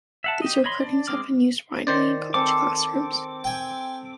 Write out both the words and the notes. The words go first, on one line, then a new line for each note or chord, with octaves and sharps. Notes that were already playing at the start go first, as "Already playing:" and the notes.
These recordings have been used widely in college classrooms.
E5 F#5 A5
G4 D#5
C#5 D#5 B5 C6
D4 D5
G#3 C4 D6 F6
D#3 C5 D5
C4 A4 D6
G5 G#5